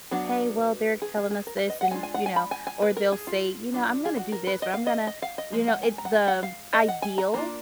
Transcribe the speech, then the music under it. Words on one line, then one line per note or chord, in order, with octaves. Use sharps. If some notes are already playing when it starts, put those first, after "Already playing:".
"Hey, well, they're telling us this," and, you know, or they'll say, you know, "I'm gonna do this or I'm gonna," you know, it the ideal
F#3 B3 D4 F#4
G#4
G#4
G#4
A#4
B4
D#5
F#5
G#3 D4 F4 G#5
G#5
F#5
G#5
B5
G#5
G#5
B4
A#4
G#4
F4
F#3 D4 F4
G#4
F#4
A#4
B4
D#5
F5
D#5
D#5
F5
D#5
F3 G#3
F#5
G#5
A#5
F#5
G#5
F#5
F5
D#5
F#5
G#5
A#5
D#3 A#3 D4 F4 A#5